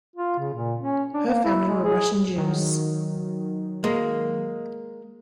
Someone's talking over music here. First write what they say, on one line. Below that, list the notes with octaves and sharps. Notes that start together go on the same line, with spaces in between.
Her family were Russian Jews.
F4
C#3
A#2
C#4
D4
A#3
E4
G#3
G#4
D#3 F#3
G#3 A#3